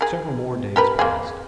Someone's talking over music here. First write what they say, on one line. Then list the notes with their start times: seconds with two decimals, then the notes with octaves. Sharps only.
Several more days passed.
0.01 G#4 A#4
0.76 G4 A#4 B4
0.99 A#3 C4 G#4